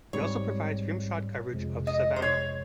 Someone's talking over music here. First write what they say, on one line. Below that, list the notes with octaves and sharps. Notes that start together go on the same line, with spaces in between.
It also provides rimshot coverage of Savannah.
G#2 G3 C4 C#5
F2 C3 F3 G#3
D#5
C5
C#5